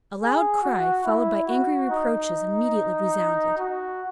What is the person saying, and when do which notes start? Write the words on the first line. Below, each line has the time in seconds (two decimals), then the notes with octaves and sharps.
A loud cry, followed by angry reproaches, immediately resounded.
0.21 G#4
0.62 F#4
1.05 E4
1.47 F#4
1.89 D#4
3.58 F#4